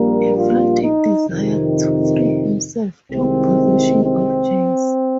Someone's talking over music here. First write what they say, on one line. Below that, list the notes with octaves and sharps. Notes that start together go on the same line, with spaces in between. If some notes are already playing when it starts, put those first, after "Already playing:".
A frantic desire to free himself took possession of James.
Already playing: A#1 A#2 G3 A#3 A#4
F4
D#4
F2 C3 D#3
C2 C3 D#3 G#3 C4
C4